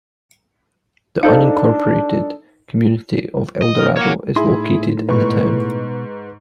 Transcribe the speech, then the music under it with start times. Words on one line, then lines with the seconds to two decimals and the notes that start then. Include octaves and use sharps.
The unincorporated community of Eldorado is located in the town.
1.23 D4 D#4 A4 C5 F5
3.62 D#5
3.78 A#4
3.97 A#3 C#5 F#5
4.36 A2 D#4 E4 G#4 C6
5.09 G#2 B2 B4 C#6